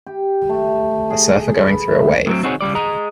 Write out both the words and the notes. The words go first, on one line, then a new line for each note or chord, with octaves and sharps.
A surfer going through a wave.
G4
A3
G#4
B4
E5
A2 F#3 C4
C4 D#4 F#4 G#4 B4 C#5
C#3 F3 G3 D5
G#4 D#5 A#5